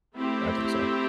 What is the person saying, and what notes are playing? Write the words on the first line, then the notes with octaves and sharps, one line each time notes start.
I think so.
A3 C4 E4 G4